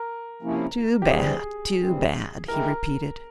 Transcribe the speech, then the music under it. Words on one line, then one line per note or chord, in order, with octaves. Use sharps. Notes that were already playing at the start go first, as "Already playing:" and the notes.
"Too bad, too bad," he repeated.
Already playing: A#4
C3 F3 A#3 C#4 E4
G4
C3 E3 G3 C4 G#4
C3 E3 G3 C4
G#3 E4 G4 A#4